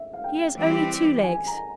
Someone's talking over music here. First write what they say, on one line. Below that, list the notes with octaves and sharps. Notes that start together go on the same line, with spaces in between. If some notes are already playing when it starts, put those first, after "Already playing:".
He has only two legs!
Already playing: E5
F5
G5
E3 G3 C4 G4
G#5
A#5